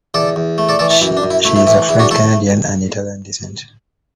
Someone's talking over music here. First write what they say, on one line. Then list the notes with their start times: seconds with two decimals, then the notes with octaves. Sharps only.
She is of French-Canadian and Italian descent.
0.14 E2 A4 D5
0.36 E2
0.58 A3
0.69 A4 D5
0.79 E3 A4 D5
0.90 E4 A4
1.01 F#2 E4
1.17 D4
1.23 F#2
1.30 E4
1.45 A3 E4
1.56 E4
1.67 E3 E4
1.89 E2 E4
1.99 D4 F#4
2.11 A3 E4 A4